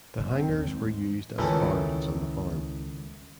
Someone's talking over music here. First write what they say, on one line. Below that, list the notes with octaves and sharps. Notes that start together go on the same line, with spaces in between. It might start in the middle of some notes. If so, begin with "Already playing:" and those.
The hangars were used as barns on the farm.
F#1
C4
D#2
G#2
C#2 D#3 E3 A3 C#4 F4 B4 A5